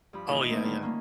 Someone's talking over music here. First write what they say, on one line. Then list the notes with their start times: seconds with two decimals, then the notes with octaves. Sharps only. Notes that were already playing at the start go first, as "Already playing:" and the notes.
Oh, yeah, yeah.
0.13 G2 F3 B5
0.28 A#2 D#3 E3 D4 E4 D#5
0.49 A3 A#3 C4 D#4 E4 B4
0.63 D3 D#3 G3 B3 D#4 F4
0.82 A#3 C#4